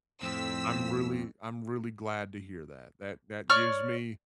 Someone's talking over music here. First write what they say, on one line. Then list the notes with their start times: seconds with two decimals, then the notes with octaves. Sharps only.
I'm really I'm really glad to hear that. That that gives me
0.22 F2 A2 C4 E6 B6
3.50 C#5 D5 C#6 F6